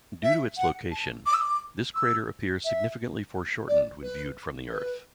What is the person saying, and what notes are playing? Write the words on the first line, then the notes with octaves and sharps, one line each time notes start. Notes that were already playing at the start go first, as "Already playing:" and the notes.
Due to its location, this crater appears significantly foreshortened when viewed from the Earth.
E5
F#5
A5
D6
E6
D6
E6
E5
D5
B4
B4